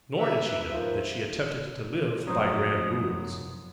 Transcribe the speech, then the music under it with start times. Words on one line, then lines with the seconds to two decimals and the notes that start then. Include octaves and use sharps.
Nor did she know that she attempted to live by grand rules.
0.18 B4 E5
0.70 D#3 F3
2.27 F1 F#2 F#3 C5 D#6